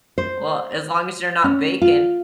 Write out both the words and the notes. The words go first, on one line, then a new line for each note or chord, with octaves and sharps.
Well, as long as you're not baking.
C5
C#4
F4